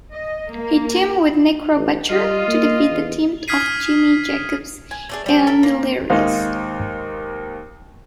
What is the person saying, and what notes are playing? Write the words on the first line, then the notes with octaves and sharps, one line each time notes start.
He teamed with Necro Butcher to defeat the team of Jimmy Jacobs and Delirious.
D#5
A#3
A1
G3 F4 D#5
A#3
E2
D#6 F6 G#6 B6 C7 D#7
G#5
A3 D4 G#4
G3 C4
A4 A#4 E5
A#3
D#2 G#3 D#4 C5 F5